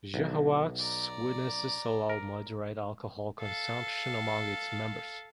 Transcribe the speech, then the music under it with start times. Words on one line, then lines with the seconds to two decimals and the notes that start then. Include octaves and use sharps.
Jehovah's Witnesses allow moderate alcohol consumption among its members.
0.14 B1
0.79 D5 A#5
2.09 A#4
3.41 A4 F5